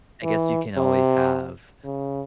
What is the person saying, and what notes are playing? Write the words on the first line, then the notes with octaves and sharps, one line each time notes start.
I guess you can always have,
E3
C3
C#3